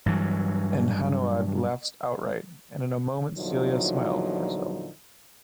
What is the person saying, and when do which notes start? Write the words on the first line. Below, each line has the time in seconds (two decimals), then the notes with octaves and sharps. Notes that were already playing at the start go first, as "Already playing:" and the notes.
And Hanaud laughed outright, and in a moment Celia smiled herself.
0.06 G2 E3 F#3
3.37 E2 A#2 D3 F3 F#3 D#4